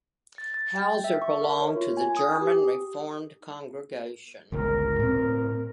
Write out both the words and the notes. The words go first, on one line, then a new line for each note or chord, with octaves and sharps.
Hauser belonged to the German Reformed congregation.
A6
A6
G5
E5
C#6
A#4
C#5
F4
G#5
D#6
G4
G1 C#2 A#4
A2 C4